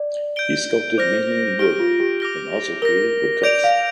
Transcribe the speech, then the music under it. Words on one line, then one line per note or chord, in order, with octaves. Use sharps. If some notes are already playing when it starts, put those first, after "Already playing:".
He sculpted mainly in wood and also created woodcuts.
Already playing: D5
G6 D7 G7
C5 D6 F6 A#6
G4 F6 D7 G7
F4
G4
D6 F6 A#6 G7
A#4 A#6 G7
D5 D6 G6 D7 F7
F5